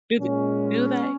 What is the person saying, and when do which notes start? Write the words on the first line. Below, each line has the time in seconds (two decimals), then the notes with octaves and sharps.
Is it Do they?
0.20 A#2 G#3 C#4